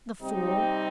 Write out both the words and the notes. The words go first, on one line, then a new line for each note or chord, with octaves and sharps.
The fool!
C3 G3 C4 D#4